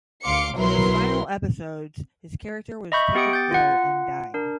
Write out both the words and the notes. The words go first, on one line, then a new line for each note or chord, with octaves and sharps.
In his final episodes, his character was taken ill and died.
D2 F5 C6 D6 C#7
B1 F#3 E4 A#4 B4 C6
D#5 E5 B5 C#6 G6
B3 G4 G5 D#6 C#7 D7
G6 A6
F4 F#5
D4 A#4